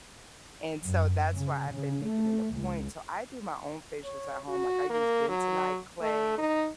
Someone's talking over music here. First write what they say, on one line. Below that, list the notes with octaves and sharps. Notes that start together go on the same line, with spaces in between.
And so that's why I've been making it a point, so I do my own facials at home, like I use bentonite clay
F#2
C#3
C#3
A3
C#2
C#5
F#4
A#3
F#3
A3
D#4